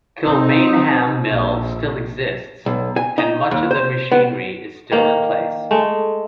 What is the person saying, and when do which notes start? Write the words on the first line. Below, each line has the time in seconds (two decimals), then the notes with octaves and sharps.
Kilmainham mill still exists and much of the machinery is still in place.
0.22 C4 D#4
1.27 A#1
2.66 B1
2.96 G#5
3.18 D#4
3.51 D#2
3.71 C5
4.12 B3
4.92 D#3 A#3
5.71 G#3 A3